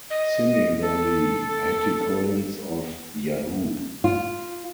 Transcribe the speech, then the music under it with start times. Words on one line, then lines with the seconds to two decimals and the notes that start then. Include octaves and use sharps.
Similarly, Hattie Collins of Yahoo!
0.10 D#5
0.81 A4
4.04 F4